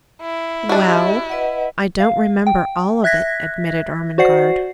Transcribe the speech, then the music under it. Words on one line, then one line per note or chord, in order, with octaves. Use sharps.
"Well, I don't remember all of it," admitted Ermengarde.
E4
D4 F#4 G4 D#5 E5
B4 D#5 F#5
F5
G5
E5 F#6 G#6 A#6 B6
F#4 C5 D5 F#5 C7